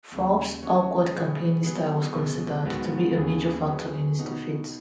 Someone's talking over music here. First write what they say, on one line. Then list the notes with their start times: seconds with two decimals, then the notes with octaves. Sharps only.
Forbes' awkward campaigning style was considered to be a major factor in his defeat.
0.12 D#2 C#3 F#3
0.62 F#3 C#4 F#4 C#5
1.13 B2 B3 G#4
1.64 F#3 B3 G#4
2.14 C#2 B2 G#3
2.65 G#2 D#3 F#3 B3 F#4
3.16 D#2 C#3 B3 G#4
3.66 F#3 C#4 G#4 B4
4.17 B2 B3 D#4 F#4